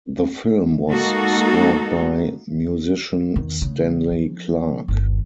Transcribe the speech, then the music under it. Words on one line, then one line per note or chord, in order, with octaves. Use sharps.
The film was scored by musician Stanley Clarke.
G#3 A#3 D#4 F#4 A4
E2 D#3
C#3 A3
F3
G1 D#2